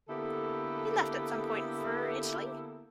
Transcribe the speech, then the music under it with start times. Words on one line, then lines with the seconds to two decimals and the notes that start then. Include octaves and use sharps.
He left at some point for Italy.
0.09 D3 A#3 B3 E4 G4 A4